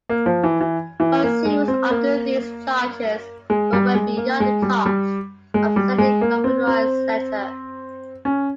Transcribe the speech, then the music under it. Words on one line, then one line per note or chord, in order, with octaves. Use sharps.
Consumers argued these charges were well beyond the cost of sending a computerised letter.
A#3
F3
E3
E3
E3
A#3
G#3
C4
A#3
G#3
G3
G#3
A#3
G#3
G3
G3
G#3
G3
G#3
A#3
C4
C4
C#4